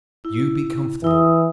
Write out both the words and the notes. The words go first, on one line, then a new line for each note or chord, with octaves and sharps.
You be comfortable.
E4
E3 E4 D#6